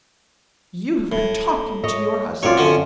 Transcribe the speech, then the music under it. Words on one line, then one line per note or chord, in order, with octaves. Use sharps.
You have been talking to your husband!'
A2
C#5 D#5
F#2 C4 F4 C#5 D5
D3 C#4 F#4